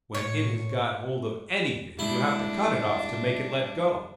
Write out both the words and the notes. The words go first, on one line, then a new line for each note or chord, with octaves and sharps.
When it has got hold of anything you have to cut it off to make it let go!
A2 C#5
G3 G#3 A#3 D4 E4